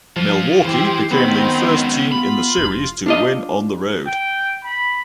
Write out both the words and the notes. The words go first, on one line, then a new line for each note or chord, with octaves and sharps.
Milwaukee became the first team in the series to win on the road.
F3 F4 A4
E3 C4 G4 G#4 C5 G5
C#2 D#3 F#3 B3 C4 B5
F4 B5
F1
D4 F4 D#5
G5
B5